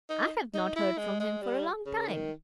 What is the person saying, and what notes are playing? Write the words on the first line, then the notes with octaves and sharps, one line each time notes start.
"I have not heard from him for a long time."
D#4
D#4
E4
G#3
G#3
G3
C#3
D#3